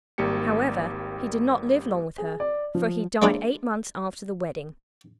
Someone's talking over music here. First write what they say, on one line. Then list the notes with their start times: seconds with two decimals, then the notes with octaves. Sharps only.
However, he did not live long with her, for he died eight months after the wedding.
0.18 G#1 G3 A#3 G4 C#7
2.18 G#4
2.40 D5
2.75 F3
3.22 G#3 A#3 D4 E4 F4